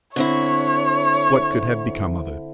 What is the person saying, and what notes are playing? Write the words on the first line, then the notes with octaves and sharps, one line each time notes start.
"What could have become of it?"
D3 C4 E4 C#5